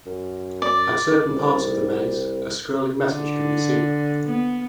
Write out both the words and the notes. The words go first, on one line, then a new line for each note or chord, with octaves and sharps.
At certain parts of the maze, a scrolling message can be seen.
F#2
D5
C2
D3
B3